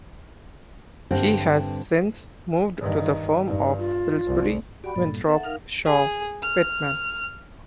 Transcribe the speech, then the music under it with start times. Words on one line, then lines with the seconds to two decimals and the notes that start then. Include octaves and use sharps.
He has since moved to the firm of Pillsbury, Winthrop, Shaw, Pittman.
1.11 G2 D3 C4 B4 C5
2.80 G2 D#3
3.47 G2 D#4
3.78 F4
4.27 C2
4.84 F#4 G4 D5 B5
4.96 G2 A#2 A4
5.27 B3 A4 E5 F#5
5.43 D#4 A#4 F5 F6
5.85 G#4
6.42 F6